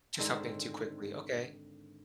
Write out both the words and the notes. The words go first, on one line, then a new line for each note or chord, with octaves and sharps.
Do something too quickly. Okay.
G#2 D3 D#3 C4